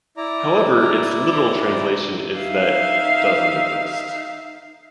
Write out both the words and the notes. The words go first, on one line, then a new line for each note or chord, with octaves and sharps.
However, its literal translation is That doesn't exist.
E4 D5 A#5
D#4 E5 F5